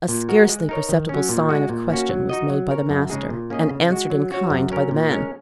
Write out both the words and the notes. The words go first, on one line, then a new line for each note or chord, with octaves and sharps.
A scarcely perceptible sign of question was made by the master, and answered in kind by the man.
A#2
G#3 F#4 A#4
G#3
D#4 A#4 C#5
D#3
F#3 C#4
A#2
G#3 F#4
A#2
A#3 C#4 F#4
F#3
D#4 F#4 D#5
F#3
C#4 A#4 C#5
F#2
C#3 G#3 D#4 G#4
A#2
A#3 C#4 G#4 D#5
C#3
G#3 F#4
F#3
C#4 F#4 C#5
F#2
F#3 C#4 A#4
A#2
G#3 C#4 A#4